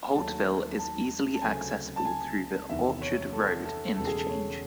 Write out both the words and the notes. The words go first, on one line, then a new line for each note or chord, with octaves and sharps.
Holtville is easily accessible through the Orchard Road interchange.
D#2 D#3 F#3 A3 A5
A5
A5
C#2 C3 F#3 A3 C4 G#5
A5
G#5
E2 C3 D#3 E5
C#5
A4
A4
E1 E2 C#3 G#3 A4
G#4
A4
C#5